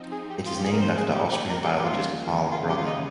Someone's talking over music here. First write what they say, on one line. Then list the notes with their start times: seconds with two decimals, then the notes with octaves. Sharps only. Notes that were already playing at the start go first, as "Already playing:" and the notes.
It is named after Austrian biologist Karl Grobben.
Already playing: F3 C4 D#4
0.12 G#4
0.30 G4
0.47 G#2 F3 A#3 C#4 F4
0.54 G4
0.64 G#4
0.72 A#4
0.81 C5
0.97 G#4
1.15 A#2 F3 G#3 G4
1.32 G4
1.50 A#4
1.63 G4
1.66 G#4
1.79 G4
1.83 D#3 G3 A#3 C#4 F4
2.52 C#3 G3 C#4 F4 G#4
2.70 G4
2.78 F4
2.86 D#4